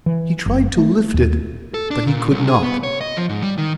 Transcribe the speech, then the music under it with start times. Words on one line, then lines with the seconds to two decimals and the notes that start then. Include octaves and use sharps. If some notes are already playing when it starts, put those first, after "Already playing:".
He tried to lift it, but he could not.
0.06 E3
0.46 F#1
0.78 A3
1.14 D#2
1.74 A4
1.91 D4
2.07 A#2
2.31 C2
2.48 G#4
2.63 B3
2.83 C#5
3.01 D#5
3.17 F3
3.29 G#2
3.43 G3
3.58 D#3